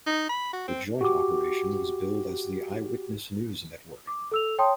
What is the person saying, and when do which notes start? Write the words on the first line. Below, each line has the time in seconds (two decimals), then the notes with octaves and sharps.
The joint operation was billed as the "Eyewitness News Network".
0.06 D#4
0.29 B5
0.53 F#4
0.68 C4
1.01 F#4 G4 D6
4.07 D6
4.31 A4 E6 F7
4.58 C#5 G5 A5 C6 D#6